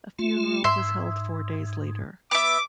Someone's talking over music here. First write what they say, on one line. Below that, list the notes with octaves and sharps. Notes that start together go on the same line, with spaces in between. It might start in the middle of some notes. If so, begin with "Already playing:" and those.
A funeral was held four days later.
A3 F4
G#2 E5 C6
B3 E5 D6